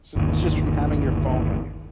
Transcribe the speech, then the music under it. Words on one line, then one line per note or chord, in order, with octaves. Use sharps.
So, it's just from having your phone on you
G1 D#2